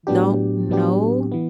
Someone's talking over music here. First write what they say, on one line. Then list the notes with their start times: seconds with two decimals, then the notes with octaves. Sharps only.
don't know?
0.07 A2 F#3 B3 D4 G4
0.69 A2 F#3 B3 D4 G4
1.32 E3 B3